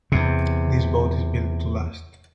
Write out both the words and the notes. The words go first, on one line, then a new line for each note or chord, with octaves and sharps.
This boat is built to last.
E2 C3